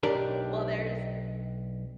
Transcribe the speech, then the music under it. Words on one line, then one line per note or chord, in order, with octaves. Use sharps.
Well, there's
B1 D4 G4 A#4